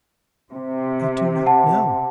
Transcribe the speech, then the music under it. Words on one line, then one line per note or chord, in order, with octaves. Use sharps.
"I do not know."
C3
F#5 A5